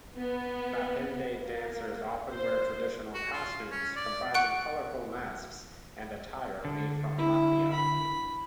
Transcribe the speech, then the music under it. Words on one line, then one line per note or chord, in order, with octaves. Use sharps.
Bapende dancers often wear traditional costumes comprising colorful masks and attire made from raffia.
B3
A#3
C5
F#4
F4
C#4
D5
F#5 C#6 F#6 D7
D3
E4
B5